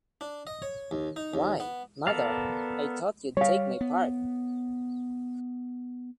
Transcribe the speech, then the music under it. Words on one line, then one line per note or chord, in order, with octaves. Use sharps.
Why, mother, I thought you'd take my part!
D4
D#5
C#5
D#2
D#4
D#2
B3
B3 A4 A#4 D5 F5
G3 C#5 F5
B3